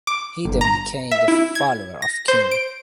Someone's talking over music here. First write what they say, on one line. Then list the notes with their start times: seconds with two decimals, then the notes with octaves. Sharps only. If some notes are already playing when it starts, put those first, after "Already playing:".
He then became the follower of Kim.
0.07 D6
0.45 G1
0.61 A#5
1.11 E5
1.28 E4
1.55 G#6
2.02 A#6
2.28 C5
2.51 D7